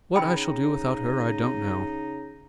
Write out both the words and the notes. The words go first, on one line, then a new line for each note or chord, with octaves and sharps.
"What I shall do without her I don't know."
C#3 D#4 G5 B5